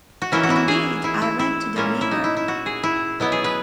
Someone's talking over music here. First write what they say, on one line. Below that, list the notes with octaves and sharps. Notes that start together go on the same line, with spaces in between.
Indeed, I went to the river.
F#4
E3 A#3 C#4 E4
F#4
E4
F#4
G#4
E4
E4
E4
A#2 A#3 C#4 E4
E4
D#4
E4
E4
F#4
G#4
E4
B2 F#3 B3 E4
G#4
B4